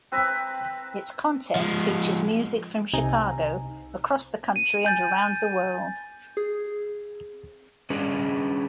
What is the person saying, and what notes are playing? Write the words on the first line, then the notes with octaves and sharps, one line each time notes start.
Its content features music from Chicago, across the country, and around the world.
C4 B4 E5 A#5
F3 G#3
C2 C3 D#4 G#5 A#5
D#7
G#5 G6 A6
G#4
C#4 D4 G#4 B4